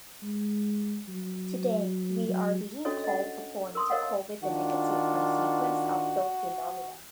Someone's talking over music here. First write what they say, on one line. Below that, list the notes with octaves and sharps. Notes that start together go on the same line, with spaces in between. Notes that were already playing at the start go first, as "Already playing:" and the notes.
Today we are being called upon to cope with the negative consequences of those phenomena.
G#3
F#3
F#3
C#4 D4 F#4 A4 C#5 D#5
D#5 F#5
A#4 C6 D#6
A#4 C#5 D#5 F5 F#5
D#3 D4 F4 F#4